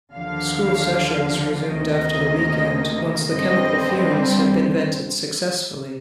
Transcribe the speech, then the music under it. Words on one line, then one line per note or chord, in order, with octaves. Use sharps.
School sessions resumed after the weekend once the chemical fumes had been vented successfully.
D#2 D3 F3 F5
D2 C3 D#3 A#3 D#5
G2 D3 G3 C4 D#5